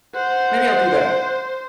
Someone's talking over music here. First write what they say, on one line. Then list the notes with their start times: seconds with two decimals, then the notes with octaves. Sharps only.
Maybe I'll do that.
0.15 C5 F#5